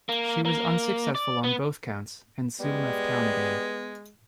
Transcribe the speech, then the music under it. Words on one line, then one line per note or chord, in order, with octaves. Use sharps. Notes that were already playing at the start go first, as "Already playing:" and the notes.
She was unsuccessful on both counts, and soon left town again.
A#3
A#3
D5
B3
G3 G#3 B3